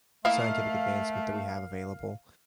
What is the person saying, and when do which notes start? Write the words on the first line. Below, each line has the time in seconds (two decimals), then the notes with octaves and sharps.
scientific advancement that we have available
0.25 A3 A#3 E4 D#5 F5